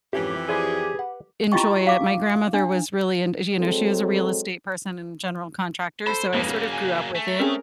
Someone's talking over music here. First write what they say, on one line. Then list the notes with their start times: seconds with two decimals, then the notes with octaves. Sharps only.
enjoy it. My grandmother was really int you know, she was a real estate person and general contractor, so I sort of grew up with it,
0.13 F2 G#2 E3 C#4 G4 E5
0.49 E4 G#4 C5 D5
0.95 B4 F#5
1.52 E4 F4 G4 D#5 G5 C#6
1.87 F5 D6
2.54 D4
3.59 F#3 G#3 C4 A4
6.07 A4 C5 B5
6.33 F2 G#2 F#3 A#3 B3
6.49 C#3
6.72 G#5
7.15 A3
7.39 C4 C#4 G#4 A#4